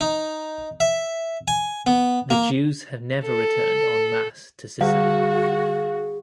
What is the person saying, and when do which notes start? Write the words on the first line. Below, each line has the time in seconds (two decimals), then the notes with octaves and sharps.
The Jews have never returned en masse to Sicily.
0.01 D#4
0.80 E5
1.48 G#5
1.87 B3
2.30 A#3
3.25 A4
4.81 D3 G3 F#4 G#4 F5 F#5